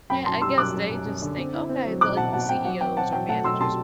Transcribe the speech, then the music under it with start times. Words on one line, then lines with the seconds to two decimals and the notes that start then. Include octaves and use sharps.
Yeah, I guess they just think, okay, the like, the CEOs or managers,
0.10 F#2 G5 B5
0.26 F#2 A5 C6
0.41 G3 C6 E6
0.58 F#2 D6 F#6
0.74 F#2
0.90 F#2
1.05 F#2
1.22 D3
1.38 C4
1.53 E4
1.69 C4
1.86 F#3
2.01 C4 D6 F#6
2.17 B2 F#5 A5
2.33 B2 F#5 A5
2.49 C4 G5
2.65 F#3 F#5
2.81 C4 G5
2.97 C4 F#5 A5
3.13 F#3 G5
3.28 A3 F#5 A5
3.44 F#3 C6 E6
3.60 C3 A5 C6